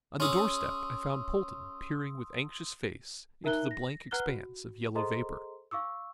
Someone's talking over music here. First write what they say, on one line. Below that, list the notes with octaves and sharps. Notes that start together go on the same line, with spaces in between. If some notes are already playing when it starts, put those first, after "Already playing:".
On the doorstep I found Polton peering with anxious face into the blank expanse of yellow vapour.
C#4 G#4 C6 D#6 E6
D#4 A#4 E5 A#5 F#6 G7
A#6
B4 F#5 A#5 F6 F#6 G7
F#4
G#4 A4 C5 D#5 A#5 C6
F5 C#6 D6 E6